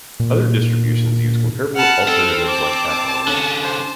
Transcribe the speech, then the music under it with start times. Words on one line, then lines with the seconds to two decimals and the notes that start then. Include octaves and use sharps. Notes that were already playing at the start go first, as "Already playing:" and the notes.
Other distributions use comparable alternatives like AppArmor.
0.20 A#2
1.75 F#5 A5 B5 F6
2.08 C4 A4
2.46 A5 D6
3.28 D3 C#4
3.63 C5